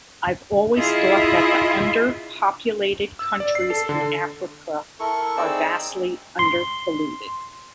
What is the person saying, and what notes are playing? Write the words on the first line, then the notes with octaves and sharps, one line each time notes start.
I've always thought that under-populated countries in Africa are vastly underpolluted.
E4 F4 G#4 D#5 E5
E6
D5
C7
A4
D3
E4 A4 A#4 C#6
C4 D#4 G#4 D5 E6
C6